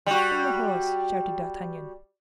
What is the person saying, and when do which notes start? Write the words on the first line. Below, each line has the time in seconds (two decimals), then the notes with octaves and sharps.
"Bring the horse!" shouted D'Artagnan.
0.06 G3 F#4